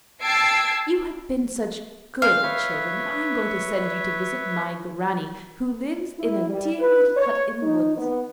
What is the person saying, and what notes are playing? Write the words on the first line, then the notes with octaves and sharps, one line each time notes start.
'You have been such good children that I am going to send you to visit my granny, who lives in a dear little hut in the wood.
G5 A5 E6 G#6 C7 D7
C#4 C5 F5
B4 C#5 E5
E4
G3
B4
C#5
D#4
B3